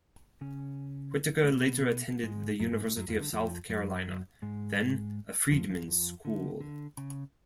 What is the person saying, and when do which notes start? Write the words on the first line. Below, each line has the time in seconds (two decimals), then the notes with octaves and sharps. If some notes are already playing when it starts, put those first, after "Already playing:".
Whittaker later attended the University of South Carolina, then a freedmen's school.
0.41 C#3 C#4
1.44 A3
1.51 B2 B3
2.24 G#2 G#3
2.60 F#2 F#3
2.72 G#2 G#3
2.84 A2 A3
2.96 F#2 F#3
3.08 F2 F3
3.20 D3
3.33 F2 F3
3.70 F#2 F#3
4.42 G#2 G#3
5.52 F2 F3
5.70 F2 F3
5.88 F2 F3
6.25 D3
6.61 D3
6.97 C#3